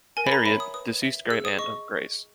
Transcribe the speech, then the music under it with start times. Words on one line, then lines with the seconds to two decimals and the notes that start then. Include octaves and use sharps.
Harriet: Deceased great-aunt of Grace.
0.17 A#4 G#5
0.27 B5
0.32 A#5
0.45 C#5 E5 B5
0.60 D#6
0.74 B4 D#6
1.02 E5
1.30 G#4 E6
1.45 D#6
1.59 D#5 C#6